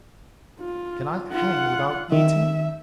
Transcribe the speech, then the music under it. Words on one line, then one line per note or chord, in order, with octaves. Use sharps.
Can I hang without eating?
F4
F4 F#5
D#3 E5